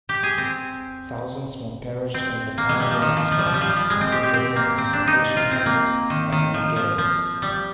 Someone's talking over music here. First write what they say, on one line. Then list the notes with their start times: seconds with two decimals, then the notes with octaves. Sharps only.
Thousands more perished in the Ponary massacre, in German concentration camps, and in ghettos.
0.09 G4
0.23 G#4
0.38 C4
2.14 C4
2.58 A#3
2.69 G#3
2.80 G3
2.91 F3
3.02 D#3
3.17 F3
3.32 F3
3.39 G3
3.46 F3
3.54 G3
3.61 F3
3.69 G3
3.76 F3
3.90 G#3
4.01 C4
4.12 G4
4.23 G4
4.34 C4
4.56 A#3
4.78 C4
4.93 D4
5.07 D#4
5.36 F4
5.51 C4
5.66 A#3
6.10 D#3
6.32 D#3
6.54 F3
6.76 F3
6.98 F3
7.42 G3